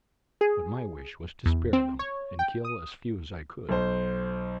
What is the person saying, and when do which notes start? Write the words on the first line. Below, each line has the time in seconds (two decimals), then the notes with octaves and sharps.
But my wish was to spare them, and kill as few as I could.
0.41 G#4
1.46 E2
1.73 C4
1.99 C#5
2.39 G5
2.65 D#6
3.69 B1 C5